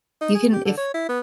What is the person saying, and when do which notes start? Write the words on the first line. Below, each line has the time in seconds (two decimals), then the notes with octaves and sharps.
you can if
0.21 D#4
0.35 G#4
0.52 G4
0.65 D3
0.78 C#5
0.94 E4
1.09 B3